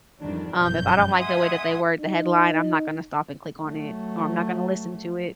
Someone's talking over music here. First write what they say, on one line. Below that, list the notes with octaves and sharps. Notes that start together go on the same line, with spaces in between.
um, if I don't like the way that they word the headline, I'm not gonna stop and click on it or I'm not gonna listen to it,
F2 G#2 D#3 E3 G3 D4
G1 F#2 B2 F3 G6
D#5 E5 F#5 G#5 C6 D#6
D#4
F#3 A3